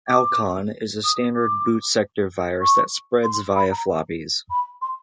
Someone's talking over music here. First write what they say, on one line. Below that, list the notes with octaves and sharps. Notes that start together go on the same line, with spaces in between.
Alcon is a standard boot sector virus that spreads via floppies.
D6
D#6
D6
C#6
C6
B5
A#5
B5
C6